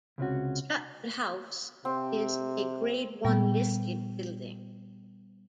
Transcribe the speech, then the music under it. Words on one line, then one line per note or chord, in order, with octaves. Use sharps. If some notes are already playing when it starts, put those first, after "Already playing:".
Stratford House is a Grade One listed building.
C#2 C3 C#4 F#4
C3 C4
A#2 G3 B3